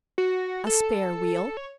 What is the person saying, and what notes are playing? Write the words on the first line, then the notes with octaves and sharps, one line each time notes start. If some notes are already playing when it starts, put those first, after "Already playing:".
"A spare wheel?"
F#4
A4
C#5